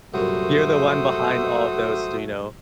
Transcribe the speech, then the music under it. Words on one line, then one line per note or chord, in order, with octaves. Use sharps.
You're the one behind all of those d you know,
C2 F#2 A#2 A3 F#4 C5 D#6